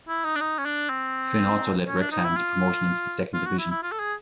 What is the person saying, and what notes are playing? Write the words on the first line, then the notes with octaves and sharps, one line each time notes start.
Flynn also led Wrexham to promotion into the second division.
E4
D#4
D4
D#4
C#4
D4
C4
C#4
D4
D#4
E4
F4
F4
F#4
E4
E4
F4
A4
G#4